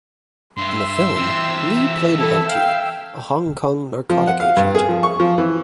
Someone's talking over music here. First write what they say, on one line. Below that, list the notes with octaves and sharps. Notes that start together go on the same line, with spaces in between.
In the film, Lee played Loti, a Hong Kong narcotic agent.
G2 E5 C6 E6
E3 C4
E4 A4
F5 G5
F3
F#5
F5
G2
G#4
F3
C#6
F3
E3